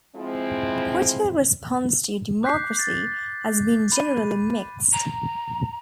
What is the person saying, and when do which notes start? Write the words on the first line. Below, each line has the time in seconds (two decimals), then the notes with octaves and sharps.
Critical response to "Democracy" has been generally mixed.
0.15 F3 G#3 C4 E4
2.43 D6 F#6 G6 B6 C7
2.79 A6
3.92 B5 D#7
4.93 A#5